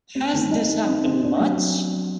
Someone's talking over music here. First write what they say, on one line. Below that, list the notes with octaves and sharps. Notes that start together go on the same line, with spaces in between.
Has this happened much?
C4
D#3
D#4
D#4
C4
C4
D4
F#3